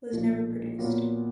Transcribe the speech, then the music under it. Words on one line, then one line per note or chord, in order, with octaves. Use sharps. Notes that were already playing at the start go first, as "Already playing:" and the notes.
Was never produced.
B1 A#2 F3
A#2 F#3 B3 F4 A#4